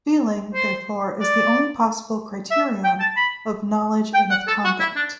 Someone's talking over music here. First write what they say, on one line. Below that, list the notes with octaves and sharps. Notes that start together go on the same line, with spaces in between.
Feeling, therefore, is the only possible criterion of knowledge and of conduct.
C5
D5
E5
G5
A5
B5
G5
F#5
A4
F#4
E4
D4